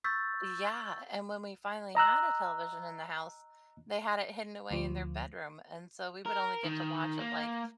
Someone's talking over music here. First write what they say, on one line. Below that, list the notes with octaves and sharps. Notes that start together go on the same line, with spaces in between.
Yeah, and when we finally had a television in the house, they had it hidden away in their bedroom, and so we would only get to watch it, like
C#6 E6 G6 A6 B6
D#5 A#5 E6 F#6
D2 F3
A#4
D#3
A#3